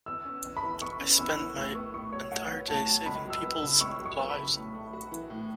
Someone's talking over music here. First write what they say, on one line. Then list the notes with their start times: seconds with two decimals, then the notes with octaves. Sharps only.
I spend my entire day saving people's lives.
0.06 E2 E6
0.25 C#4
0.45 E2
0.57 B5
0.63 E3
0.81 E2 C#6
1.00 C#4
1.18 E2 E6
1.38 E3
1.56 A2 E6
1.75 B3 C#6
1.94 A2 C#6
2.12 F#3 C#5
2.31 A2 F#5
2.50 B3
2.68 A2 A5
2.87 F#3
3.06 C#2 B5
3.25 F#3
3.30 E6
3.43 B3
3.56 E6
3.62 C#3
3.81 C#2 C#6
4.00 F#3
4.06 C#6
4.18 B3
4.30 B5
4.37 C#3
4.56 A2
4.75 A3
4.93 F#4
5.12 E3
5.30 A2